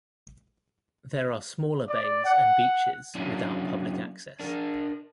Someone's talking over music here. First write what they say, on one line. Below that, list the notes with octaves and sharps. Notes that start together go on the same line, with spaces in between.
There are smaller bays and beaches without public access.
D5
F#5
F#3 A#3 C#4 D4 E4
D4 A#4